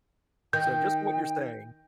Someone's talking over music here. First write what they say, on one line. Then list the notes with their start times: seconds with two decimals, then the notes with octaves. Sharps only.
So just what you're saying
0.53 D#3 G5 G6